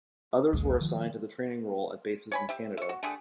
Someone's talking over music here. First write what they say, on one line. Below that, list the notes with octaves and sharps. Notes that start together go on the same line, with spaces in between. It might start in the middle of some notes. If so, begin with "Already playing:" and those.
Others were assigned to the training role at bases in Canada.
A#1 D#2 A#2 G#3
D#3 F3 G#3
C#5 G#5 B5
G4 E5
E5 C#6
F#4
D3 A3 G4 G#4